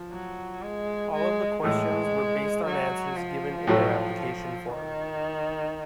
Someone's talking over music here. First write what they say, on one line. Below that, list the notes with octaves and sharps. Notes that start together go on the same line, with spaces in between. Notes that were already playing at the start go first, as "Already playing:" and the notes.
All of the questions were based on answers given in their application form.
Already playing: F3
F#3
G#3
G#3
A2 E3 G#3 A3
F#3
F3
A2 F#3 A3
D#3